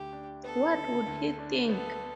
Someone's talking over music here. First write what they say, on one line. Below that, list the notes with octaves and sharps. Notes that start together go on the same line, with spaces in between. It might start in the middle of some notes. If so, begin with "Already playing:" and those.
What would he think?
Already playing: D2 G4
D4
B3 A4
D3
D2
D4
B3 A4